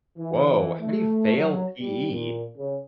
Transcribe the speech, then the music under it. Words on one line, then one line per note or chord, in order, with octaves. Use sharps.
Woah! How do you fail PE?
E3
A3
F#3
G3
A#2
C#3